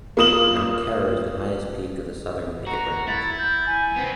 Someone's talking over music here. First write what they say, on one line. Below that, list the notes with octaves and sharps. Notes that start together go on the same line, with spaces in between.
Mount Terror is the highest peak of the southern Picket Range.
A#3 F4 D#6 E7 F#7
F#4 A#5
E4 A6
G6
G#5
B3 C4